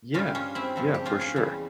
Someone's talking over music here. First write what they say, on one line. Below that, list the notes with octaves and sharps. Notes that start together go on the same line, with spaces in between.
Yeah. Yeah, for sure.
G2 G3 C#4 F4
C#4 F4
C4 E4
G2 F3 G#3
G4
C#4 F4
F4 G#4
E2 C#3 G3